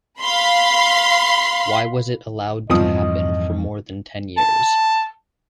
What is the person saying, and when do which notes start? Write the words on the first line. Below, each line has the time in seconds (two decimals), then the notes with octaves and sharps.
Why was it allowed to happen for more than ten years?
0.21 F5 B5 C6
2.70 C2 F2 G#2 E3 F3 D#5 D#6
4.37 A5